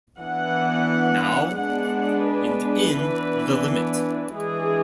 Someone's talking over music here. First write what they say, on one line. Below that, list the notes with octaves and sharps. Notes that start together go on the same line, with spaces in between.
Now and in the limit.
E3 B3 D4 F#5
G#3 B3 D4 F#5
B4
E3 B3 D4
E3 G#3 D4 G#4